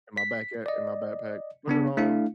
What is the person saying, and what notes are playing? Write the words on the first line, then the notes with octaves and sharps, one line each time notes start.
in my back a in my backpack, put it on,
B6
D5 D#5
C#3 B3 D4
A3 D4 E4 F5